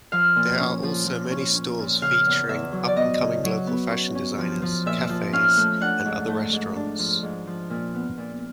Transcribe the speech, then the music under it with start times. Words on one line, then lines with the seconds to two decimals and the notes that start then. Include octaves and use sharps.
There are also many stores featuring up-and-coming local fashion designers, cafes and other restaurants.
0.12 F3 F5
0.36 A#2
0.60 C#4
0.83 F3
1.06 F3
1.31 C#4
1.55 C#4
1.78 A#2
2.02 C#3 F5
2.26 E2
2.49 E2 E5
2.72 F#3
2.88 D5
2.96 B3 D#5
3.21 C#3
3.44 F#3
3.67 B3
3.91 C#4
4.15 C#4
4.38 F3
4.62 F3
4.86 A#2 E5
5.09 F3
5.33 C#4 F5
5.57 A3
5.81 D4 F#5
6.05 G#2
6.28 A3
6.53 G#2
6.76 D4
6.99 F3
7.23 G#2
7.47 F3
7.70 A#2
7.94 B3
8.18 A#2